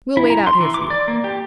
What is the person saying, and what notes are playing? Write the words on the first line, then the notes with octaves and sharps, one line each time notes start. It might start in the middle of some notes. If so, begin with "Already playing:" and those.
"We'll wait out here for you."
E4
A#5
C6
E3
D6
D5
A#3
G4